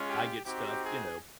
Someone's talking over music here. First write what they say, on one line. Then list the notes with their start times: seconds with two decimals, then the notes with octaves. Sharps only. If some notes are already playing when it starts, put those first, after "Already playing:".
I get stuff, you know
Already playing: G#3 C#4 F4
0.08 G4
0.46 C4 D#4 F#4 G4
0.84 G#4